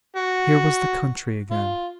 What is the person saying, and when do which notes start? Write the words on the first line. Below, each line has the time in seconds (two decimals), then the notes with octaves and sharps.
Here was the country again.
0.16 F#4
1.51 F4